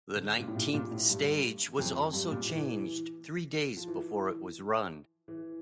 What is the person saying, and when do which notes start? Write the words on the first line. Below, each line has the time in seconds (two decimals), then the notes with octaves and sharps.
The nineteenth stage was also changed three days before it was run.
0.16 D3
0.39 A#2
0.48 A2
0.56 A#2
0.74 A#2
0.91 A2
1.09 G2
1.79 F2
2.13 G2
2.31 A#2
2.49 E3
3.77 F3
3.88 E3
5.28 E3